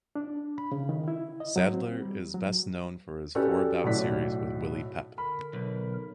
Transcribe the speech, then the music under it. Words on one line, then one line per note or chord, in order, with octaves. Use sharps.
Saddler is best known for his four-bout series with Willie Pep.
D4
B5
C#3
D#3
E4
D#5
F#3
C4
G3
F#3
C#4 F#4 G4 A4 B4 D5
B1 A2 F#4 D5 B6
D3 A#4 B5
B1